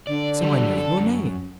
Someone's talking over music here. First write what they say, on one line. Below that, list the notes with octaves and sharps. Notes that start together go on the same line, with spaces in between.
"So I know your name."
D3 D5
F#3 G3
A4
F#2